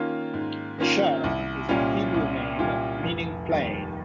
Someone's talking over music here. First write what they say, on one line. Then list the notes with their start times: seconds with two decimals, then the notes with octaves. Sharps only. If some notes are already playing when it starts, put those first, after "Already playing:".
Sharon is a Hebrew name meaning "plain".
Already playing: D#3 A#3 C#4 F4
0.34 G#2
0.78 D#3 A#3 C#4 F4
1.24 C2
1.69 A#2 G3 C#4 F4
2.14 C2
2.59 A#2 G3 C#4 F4
3.03 F1
3.49 D#2 D#3 G3